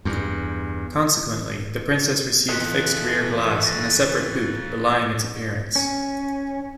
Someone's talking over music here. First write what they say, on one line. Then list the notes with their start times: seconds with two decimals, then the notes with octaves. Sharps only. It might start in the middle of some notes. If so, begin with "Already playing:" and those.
Consequently, the Princess received fixed rear glass and a separate boot, belying its appearance.
0.05 E2 G2
2.49 F2 E3 F3 A4 D#5 F#6 B6
3.63 C#6 A6 A#6
5.76 C#4